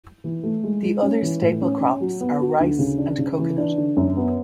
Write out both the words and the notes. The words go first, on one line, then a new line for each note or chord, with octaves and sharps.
The other staple crops are rice and coconut.
E3
A3
G#3
G#3
C#4
E3
A2
C#4
C#4
F#3
B3
F#4
D2
C#3
D4
C#3
E3
D4
D3
F#2
B3